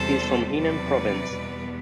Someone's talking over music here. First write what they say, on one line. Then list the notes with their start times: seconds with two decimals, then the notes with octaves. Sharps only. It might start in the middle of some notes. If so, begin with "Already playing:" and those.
He is from Henan province.
Already playing: E2 C3 G3 A4 C5
0.57 E2 C3 F#3 B4 D5
1.34 E2 B2 G3 B3